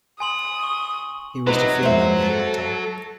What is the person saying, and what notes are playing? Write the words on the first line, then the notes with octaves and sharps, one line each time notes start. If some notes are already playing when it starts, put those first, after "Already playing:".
He was defeated by Manhunter.
G#5 C6 D#6 F#7
C#6
C3 F#3 D#4 B4 D#5
F2 G#3 A#3 C5 E5
A4